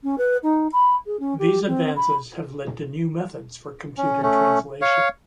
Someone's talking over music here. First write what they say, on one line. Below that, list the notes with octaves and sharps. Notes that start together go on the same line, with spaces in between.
These advances have led to new methods for computer translation.
C#4
B4
D#4
B5
G#4
C#4
G4
C4
B5
C#4
A3 C#4
C#5 F5